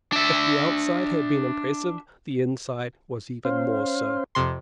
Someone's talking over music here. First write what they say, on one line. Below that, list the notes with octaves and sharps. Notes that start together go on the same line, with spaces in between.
If the outside had been impressive the inside was even more so.
D4 E5
C#4 C5 F5
F2 C3 C6